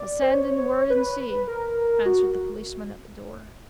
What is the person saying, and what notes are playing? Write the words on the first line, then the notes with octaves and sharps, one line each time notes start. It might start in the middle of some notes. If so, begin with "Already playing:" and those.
"I'll send in word and see," answered the policeman at the door.
Already playing: D5
C5
C#5
B4
A#4
F#4